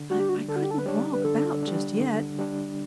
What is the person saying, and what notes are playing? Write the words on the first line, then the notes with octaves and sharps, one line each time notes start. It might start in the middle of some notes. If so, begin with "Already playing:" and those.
I--I couldn't walk about just yet.
Already playing: D3
G3 D4 F#4
G4
F#4
D3 A4
F#4
G4
A4
B4
G3 D4 C#5
B4
D3 A4
G3 D4
D3
G3 D4